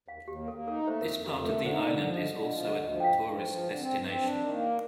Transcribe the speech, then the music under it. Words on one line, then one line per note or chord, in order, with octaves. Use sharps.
This part of the island is also a tourist destination.
D#2 F5
D#2 G4
A#3
A4
A#3
D#4 A4
A3
C5
F2 A#4
A4
F2
F2 G4
A3 A#4
D3
D#4 C5
D3 D5
F3
D3 D#5
D3
F3 D#5
D3
D#5
D2
D#5
F3
G5
G2 F5
G2
F3
F3
D3
C4
G2
C4
D4
D#3
A#3